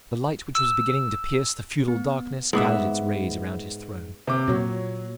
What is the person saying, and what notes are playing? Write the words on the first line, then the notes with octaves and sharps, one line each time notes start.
The light which was beginning to pierce the feudal darkness gathered its rays around his throne.
E6
B3
G#2 B3 E5
C3 D6
A#2 F#3 C#5